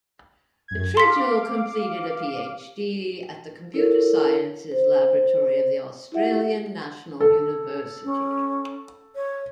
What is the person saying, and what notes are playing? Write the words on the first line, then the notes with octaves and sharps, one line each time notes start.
Tridgell completed a PhD at the Computer Sciences Laboratory of the Australian National University.
F#2 G#6
F5 C6 D6 B6
E4 A4 A#4 C#5
C5
E4 F4 G4 E5 F#5
A4
C#4
C#5